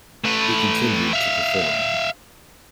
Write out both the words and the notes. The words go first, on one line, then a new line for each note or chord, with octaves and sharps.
He continued to perform.
A3 B4
E5 F5